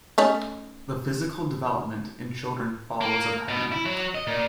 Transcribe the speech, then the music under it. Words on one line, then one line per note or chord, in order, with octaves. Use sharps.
The physical development in children follows a pattern.
A3 C#4 D#4
A#3
B2
E4
F#3
D#5
A#2